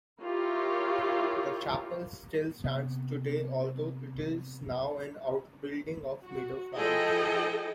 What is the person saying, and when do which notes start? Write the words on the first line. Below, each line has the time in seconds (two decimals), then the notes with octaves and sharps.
The chapel still stands today although it is now an outbuilding of Meadow Farm.
0.21 E4 F4 G4 A#4 C#5
2.64 C3 B3
6.26 F#4
6.76 F3 E4 G#4 A4 D#5 G5